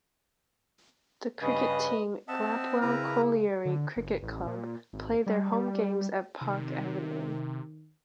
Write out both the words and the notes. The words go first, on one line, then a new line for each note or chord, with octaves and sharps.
The cricket team "Glapwell Colliery Cricket Club" play their home games at Park Avenue.
G2 C#3 B4 D#5
C4 D#5 E5 F#5 A5
C#3 E4 A#4 B4 A#5
D3
F#1
A1
A#2
G#1
G3
G3
C3 D#3